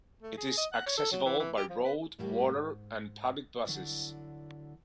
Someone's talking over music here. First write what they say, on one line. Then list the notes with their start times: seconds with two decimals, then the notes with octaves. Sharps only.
It is accessible by road, water, and public buses.
0.22 A3
0.38 G#4
0.58 D#5
0.73 F#5
0.86 C#5
0.98 A4
1.12 F#3
1.26 E3
1.39 E3
1.57 G4
1.70 F3
1.85 B4
2.19 A2 G3 A3 A#3 F#4 G4
2.53 G#2
3.65 D2 D3 F#3 A3 E4 D5